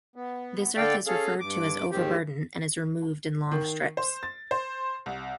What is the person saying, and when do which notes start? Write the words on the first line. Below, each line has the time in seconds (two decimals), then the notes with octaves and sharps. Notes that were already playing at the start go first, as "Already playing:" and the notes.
This earth is referred to as overburden and is removed in long strips.
0.16 B3
0.77 D3 A4 D5 F5 G5
1.07 C#4 G#4 A4 F5
1.40 G2 D6
1.92 D#2 G#2 D#3 C4 G4
3.52 D#3
3.97 C5
4.23 A6
4.51 C5
5.06 C2